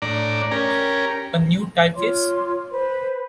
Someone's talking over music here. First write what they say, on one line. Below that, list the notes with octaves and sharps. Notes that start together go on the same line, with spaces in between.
A New Typeface?
A2 D4 D5 A#5
C#4 G4 A#4 G#5 A#5
F4 C#5 C6 D6
B4 C5